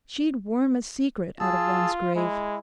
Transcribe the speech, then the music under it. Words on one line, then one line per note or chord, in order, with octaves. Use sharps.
She'd worm a secret out of one's grave.'
F4 G#4 A5 E6
G#3 E4